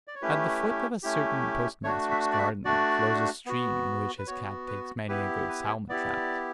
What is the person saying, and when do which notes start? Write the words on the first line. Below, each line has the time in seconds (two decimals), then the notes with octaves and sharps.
At the foot of a certain post-master's garden, flows a stream in which his cat takes many a good salmon-trout.
0.08 D5
0.15 C#5
0.22 A3 C#4 E4 G4 B4
1.03 A3 C#4 E4 G4
1.84 A3 D4 F#4 C#5
2.11 E5
2.32 D5
2.38 E5
2.65 A3 D4 F#4 D5
3.46 B3 F#4
4.18 B4
4.27 B3 F#4 C#5
4.68 B4
5.08 B3 E4 G4 B4
5.49 B4
5.89 B3 E4 G4 D5